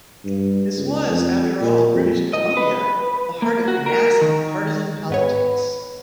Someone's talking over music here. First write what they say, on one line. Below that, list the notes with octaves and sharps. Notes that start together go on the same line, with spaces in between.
This was, after all, British Columbia, the heart of nasty, partisan politics.
G2
C#2
F2
A#2
F2
D#5
B4
A#3
F#4
A#4
D#3
G#2 B3 B4 C#5